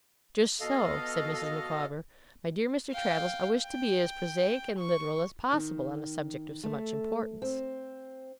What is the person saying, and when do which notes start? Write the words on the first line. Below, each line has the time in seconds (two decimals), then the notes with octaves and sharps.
'Just so,' said Mrs. Micawber, 'my dear Mr. Traddles, I wish to be as prosaic and literal as possible on a subject of so much importance.'
0.61 B2 A4 D#5 F5
2.91 F5 G5
3.66 G5
4.78 C#6
5.53 D#3
6.64 A3
7.42 C4